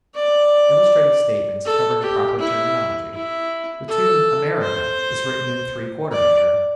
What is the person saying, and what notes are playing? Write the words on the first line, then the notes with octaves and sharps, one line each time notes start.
Illustrative statements covering proper terminology: the tune "America" is written in three-quarter measure.
D5
A4
G4
E4
E4
A4
C5
D5